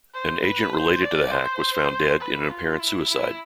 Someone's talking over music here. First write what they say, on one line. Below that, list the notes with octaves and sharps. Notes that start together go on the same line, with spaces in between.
An agent related to the hack was found dead in an apparent suicide.
C5
B4
C5
D5
C5
B4
F4
E4
E4